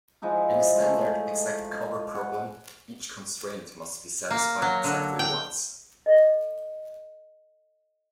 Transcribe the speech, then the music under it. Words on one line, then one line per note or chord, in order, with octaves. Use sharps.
In a standard exact cover problem, each constraint must be satisfied exactly once.
F3 G#3 D#4 E4
G#3 A3
F#5
A#3
F#3
D3
G5
A4 D#5